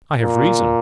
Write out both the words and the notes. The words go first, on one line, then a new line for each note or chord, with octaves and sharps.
I have reason.
A#2